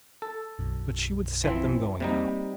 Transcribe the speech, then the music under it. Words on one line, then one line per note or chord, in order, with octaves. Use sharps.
But she would set them going now.
A4
B1 F#2
E3 F3 C4
C3 G3 A#3 D#4